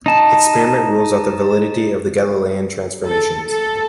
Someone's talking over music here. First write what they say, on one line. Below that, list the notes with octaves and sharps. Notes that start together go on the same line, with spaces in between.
Experiment rules out the validity of the Galilean transformations.
D#4 A5
A4
A4